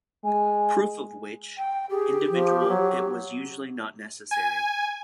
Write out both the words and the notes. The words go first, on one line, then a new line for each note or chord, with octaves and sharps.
Proof of "which" individual it was is usually not necessary.
G#3 G#5
G5
G4 G#4
F3
F#3
G#5